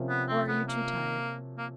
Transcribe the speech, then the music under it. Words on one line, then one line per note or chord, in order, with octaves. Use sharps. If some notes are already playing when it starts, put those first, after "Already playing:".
Or are you too tired?
Already playing: C3 F3 A#3 C#4
B3
C4
B3
A#3
A#3